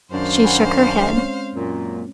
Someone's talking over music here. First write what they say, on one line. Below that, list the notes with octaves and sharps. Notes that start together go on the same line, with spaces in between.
She shook her head.
F#2 D#3 D4 C5 F5
F#5 G#5 B5
G#3 C4 C#4
F#2 A#2